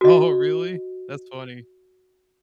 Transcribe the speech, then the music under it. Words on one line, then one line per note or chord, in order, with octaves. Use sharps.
Oh, really? That's funny.
F#4 D#5